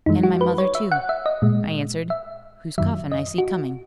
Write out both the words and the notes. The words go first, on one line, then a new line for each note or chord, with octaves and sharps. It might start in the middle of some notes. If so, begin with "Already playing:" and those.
"And my mother, too," I answered, "whose coffin I see coming."
F#2 E3 G#3 D#4
F#4
B4
C#5
E5
F#5
E5
D#5
A#2 G#3
E5
F#2 D#3 F#3 E5
D#5
F#4